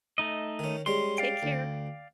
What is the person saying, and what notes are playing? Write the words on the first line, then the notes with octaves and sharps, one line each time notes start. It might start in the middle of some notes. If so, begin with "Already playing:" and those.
take care.
A3 D#4 D#5
D#3 C#4
G3 G#3 C#4 C6
D5 F5 G5
D2